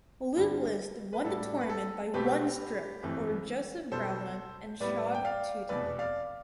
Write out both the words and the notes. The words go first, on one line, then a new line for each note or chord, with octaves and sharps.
Luke List won the tournament by one stroke over Joseph Bramlett and Shad Tuten.
G2 D3 G3
B4
A2 G3 D4 A4
B4
A4
B1 B2 A3 C4 G4 B4
G1 F2 E3 A3
B1 B2 G3 B3 A4 C5
A2 G3 B3 B4 D5
G5
D5 F5
F1 E2 B2 B4 D5
D5 F5